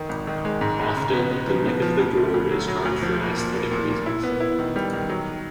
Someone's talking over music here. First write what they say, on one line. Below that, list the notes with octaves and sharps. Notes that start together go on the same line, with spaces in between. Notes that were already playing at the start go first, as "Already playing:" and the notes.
Often, the neck of the gourd is carved for aesthetic reasons.
Already playing: D#3
G#1
D#3
G#3
G#2
G#3
C#3
B3
B3
F3
B3
F3
D2
D3
D2
F#3
F#3
D2
F3
A#3
A#2
A#3
A#2
A#2
E4
B3
E4
D#3
G3
D#3
F#3